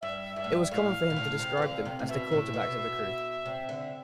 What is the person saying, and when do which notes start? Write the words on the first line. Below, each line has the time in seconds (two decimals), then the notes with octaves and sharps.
It was common for him to describe them as the "quarterbacks" of the crew.
0.02 G2 E5
0.36 G2 E5
0.44 A2
0.52 G2
0.62 E5
0.71 A2 F5
1.10 B2
1.16 A2
1.39 C3
1.57 E3
1.62 D3
1.85 C3
1.99 A2
2.08 B2 E5
2.32 A2
2.54 B2
3.46 C3
3.69 D3